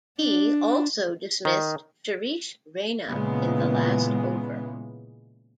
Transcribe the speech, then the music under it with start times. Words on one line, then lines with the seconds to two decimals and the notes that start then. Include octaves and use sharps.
He also dismissed Suresh Raina in the last over.
0.20 D4
1.45 D#3
3.08 A#2 C#3 E3 G#3 B3